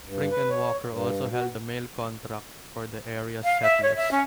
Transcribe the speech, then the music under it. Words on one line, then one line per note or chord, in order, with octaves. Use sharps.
Frink and Walker also held the mail contract for the area's settlers.
G2
B4
C#5
G2
F#4
F5
E5
C#5
E5
C#4